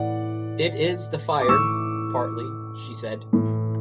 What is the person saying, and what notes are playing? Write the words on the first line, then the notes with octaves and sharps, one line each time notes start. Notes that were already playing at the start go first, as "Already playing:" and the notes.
It is the fire, partly, she said.
Already playing: A2 E3 D5 F#5
D6
A2 E3 C#6 E6
A2 E3